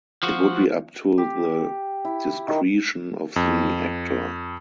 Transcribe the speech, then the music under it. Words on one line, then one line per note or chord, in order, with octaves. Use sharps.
It would be up to the discretion of the actor.
F3 F#4
G4
E4
D#3
F2